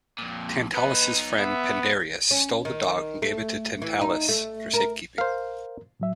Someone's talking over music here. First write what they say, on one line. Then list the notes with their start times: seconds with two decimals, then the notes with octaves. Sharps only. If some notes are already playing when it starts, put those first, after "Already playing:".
Tantalus's friend Pandareus stole the dog and gave it to Tantalus for safekeeping.
0.18 F2 A#2
0.74 B3 D#4 B4
1.39 B3 E5
2.31 C#4
2.65 D#3
3.22 A3
3.82 E3
4.01 D#4
4.29 A3
4.74 A#4
5.18 A#4 C5 F5
6.00 A2 F#3 E5